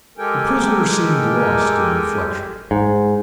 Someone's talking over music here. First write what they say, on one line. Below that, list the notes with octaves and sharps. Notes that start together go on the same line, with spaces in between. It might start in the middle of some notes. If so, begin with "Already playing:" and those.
The prisoner seemed lost in reflection.
G#3 G4 A4 A#4 G5 G#5
G#2